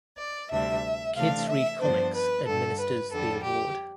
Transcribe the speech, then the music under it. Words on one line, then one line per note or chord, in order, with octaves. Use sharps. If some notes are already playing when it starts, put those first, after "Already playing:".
Kids Read Comics administers the award.
D5
D2 C3 G3 D4 E5
C3 E3 A3 D4 F5
E5
G2 F3 B3 D4 C5
B4
G2 D3 A3 A4
B4
F2 D3 G3 A4
G4